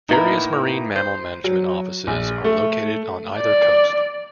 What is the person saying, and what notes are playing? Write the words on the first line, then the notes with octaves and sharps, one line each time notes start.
Various Marine Mammal Management offices are located on either coast.
A2 A#3 D#4 E4 B4 A#5
C5
F#3
A#1
A3
D5